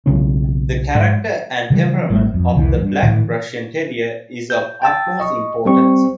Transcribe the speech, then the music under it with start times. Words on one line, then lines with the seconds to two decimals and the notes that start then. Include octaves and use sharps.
The character and temperament of the Black Russian Terrier is of utmost importance.
0.06 B1 C#3 E3 C#4
0.95 G#2
1.70 C#3 E3 G3
2.10 G#1 G3 A3
2.34 F2
2.55 C2 F2 D#3 E3
2.82 G2
3.02 A2 D#3 E3
4.50 G6
4.82 G5 A5 E6 A6
5.20 D#5 C#6
5.65 G3 C4 C#6